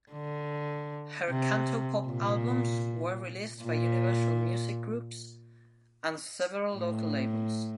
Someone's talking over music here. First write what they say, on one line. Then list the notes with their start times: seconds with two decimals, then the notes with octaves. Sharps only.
Her Cantopop albums were released by Universal Music Group and several local labels.
0.13 D3
1.30 C3
2.07 A#2
3.63 A#2
6.76 A2